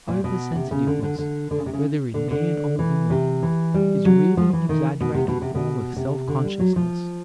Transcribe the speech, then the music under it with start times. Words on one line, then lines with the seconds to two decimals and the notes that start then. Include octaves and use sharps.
Over-sensitiveness, whether in man or woman, is really an exaggerated form of self-consciousness.
0.08 A#2
0.24 B2
0.56 C3
0.71 C#3
0.87 D3
1.03 D3
1.19 D3
1.51 D3
1.58 C#3
1.66 C3
1.73 C#3
2.14 D3
2.31 D3
2.79 E3
3.10 C3
3.43 E3
3.74 G3
4.05 F#3
4.37 F3
4.53 E3
4.69 D#3
5.01 B2
5.15 C3
5.28 B2
5.42 C3
5.55 B2
5.97 C3
6.28 D3
6.44 G3
6.60 F#3
6.76 F3